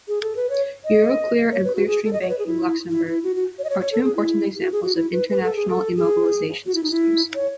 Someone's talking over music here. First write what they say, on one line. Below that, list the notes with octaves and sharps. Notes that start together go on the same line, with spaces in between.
Euroclear and Clearstream Banking, Luxembourg are two important examples of international immobilisation systems.
G#4
A4
B4
C#5
D#5
C#5
B4
F#4
G#4
A4
D#5
C#5
B4
G#4
E4
E4
E4
F#4
F#4
C#5
D#5
C#5
C#5
A4
G#4
E4
F#4
G#4
F#4
E4
B4
B4
A4
G#4
A4
G#4
F#4
E4
D#4
E4
C#5